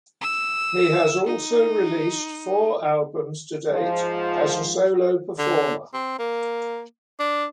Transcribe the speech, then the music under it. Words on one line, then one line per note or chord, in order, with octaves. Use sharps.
He has also released four albums to date as a solo performer.
E6
D#4
G#2 F3
D3
C4
A#3
D4